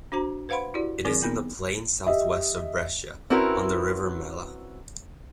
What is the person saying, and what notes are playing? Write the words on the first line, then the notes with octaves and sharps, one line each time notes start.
It is in the plain southwest of Brescia, on the river Mella.
D4 F#4 C5 A#5
B4 C5 F5 F#5 B5 C6
E4 F#4 G4 D5
D#3 F3 F#3 C4 G#4 A#4
B3 D#4
G4 D#5 E5
C4 C#4 E4 F#4 A#4 B4